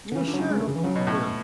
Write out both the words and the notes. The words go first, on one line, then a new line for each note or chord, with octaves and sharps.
Well, sure. Yeah,
D3
C#3 E3
D3
F#3
C#3
G#3
A3
C#3
E3
C#3 F#3
B2
A2